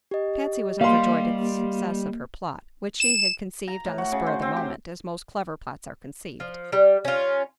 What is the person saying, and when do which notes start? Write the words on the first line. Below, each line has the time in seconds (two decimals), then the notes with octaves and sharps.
Patsy was overjoyed at the success of her plot, which she had conceived on the spur of the moment, as most clever plots are conceived.
0.11 G4 D#5
0.81 G3 A#3 F5 C6
3.00 E7
3.68 A#5
3.86 A2
3.98 F#4
4.12 C#3
4.26 C5
4.42 C4
4.56 G4
6.40 F3
6.72 G3
7.05 C#4 F4